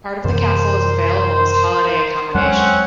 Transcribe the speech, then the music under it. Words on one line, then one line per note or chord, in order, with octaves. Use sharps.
Part of the castle is available as holiday accommodation.
F#2 C3 E3 A#4 C5
E2 F#3 G#3 C4 C#4 F#5